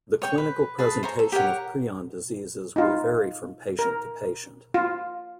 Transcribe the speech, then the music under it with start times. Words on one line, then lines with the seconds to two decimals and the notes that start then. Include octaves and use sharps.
The clinical presentation of prion diseases will vary from patient to patient.
0.22 C#5 G5 C#6
0.38 B4
0.79 G#4 B4 A5
1.03 C5 C#5 G#5 A#5
1.19 A4
1.32 G4 A#4 C#5 F#5
2.76 D#4 F4
3.79 A#4
4.74 F4